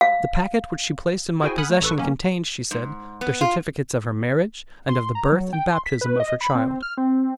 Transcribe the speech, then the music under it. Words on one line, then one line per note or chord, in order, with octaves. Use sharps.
The packet which she placed in my possession, contained, she said, the certificates of her marriage, and of the birth and baptism of her child.
F5
E4 F#4 G#4 C5 G5 G#5
F#5 G#5 B5 D#6 F6 F#6
A3 C#5
A1 A4 B4 C#6
D#3 F#3 A#3 C#4
G#2
B3
F4
C6
A#5
F#3
G5
C6
B6
B4
D#5
B5
C4
F6
C4